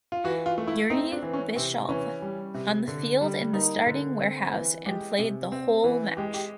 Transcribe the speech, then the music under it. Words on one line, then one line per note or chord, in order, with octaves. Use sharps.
Yuriy viyshov on the field in the starting warehouse and played the whole match.
F4
E3 F#4
F4
A3
E4
C4 D#4
D4
E3
C#4
C3 C4
E3 C#4
G3
C3
D3
G3
A#3 D#4
D3
C4
E3
G#3 G4
C3
C4
E3
G#3 G4
G4